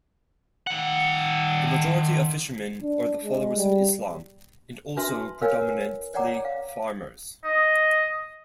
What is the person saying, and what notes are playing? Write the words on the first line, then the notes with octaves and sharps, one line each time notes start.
The majority of fishermen are the followers of Islam and also predominantly farmers.
D#3 F#5
D4
G#3
G3
D4 F#4 B4 E5 A5 C6
A#4 B4 C#5 F5 G5 G#5
C#5 D5 F#5 G5 A#5 D6
F5
D#5